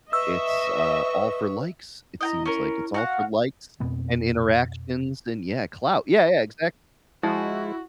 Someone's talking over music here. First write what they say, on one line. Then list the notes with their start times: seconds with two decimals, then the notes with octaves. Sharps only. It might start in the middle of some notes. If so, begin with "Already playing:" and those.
it's, uh, all for likes, it seems, like, it's all for likes and interactions, and yeah, clout, yeah, yeah, exactly,
0.13 B4 D#5 E5 C#6 E6
2.21 E4 D#5 G5 A#5
2.46 C#4 A#4
2.94 F#4 F5 F#5
3.80 F2 B2 B3 C4
7.23 F3 G#3 E4 F#4